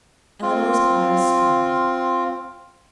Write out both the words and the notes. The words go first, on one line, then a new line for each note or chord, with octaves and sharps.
Eleanor's eyes sparkled.
C4 F4